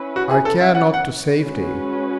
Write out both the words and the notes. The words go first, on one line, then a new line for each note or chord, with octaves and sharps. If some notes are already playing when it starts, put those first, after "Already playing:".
I care not to save thee.
Already playing: C#4 E4 B4
F#4
G#4
A4
E5
F#5
F#5
G#3 C#4 F#4 B4